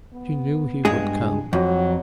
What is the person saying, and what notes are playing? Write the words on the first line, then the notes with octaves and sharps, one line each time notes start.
She knew he would come.
B3
G2 G#3 G#4
F2 F#3